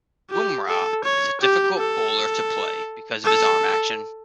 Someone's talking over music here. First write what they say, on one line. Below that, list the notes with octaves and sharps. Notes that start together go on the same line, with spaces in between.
Bumrah is a difficult bowler to play because of his arm action.
G4
A4
C#5
G4
A4
A4